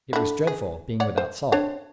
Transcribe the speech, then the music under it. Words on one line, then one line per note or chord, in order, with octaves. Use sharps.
It was dreadful, being without salt.
D3 E4
G#4
C#5 D5 F#5
C5
C4 D4 C#5